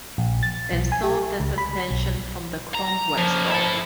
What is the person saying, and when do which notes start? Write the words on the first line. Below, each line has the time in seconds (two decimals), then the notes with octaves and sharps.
Install this extension from the Chrome Web Store.
0.18 A#1
0.43 A6
0.72 B1
0.92 G#5
1.03 G4
1.40 C#2
1.58 B5
1.91 B1
2.74 A#5
3.18 C#3 F3 A#3
3.50 E4 A4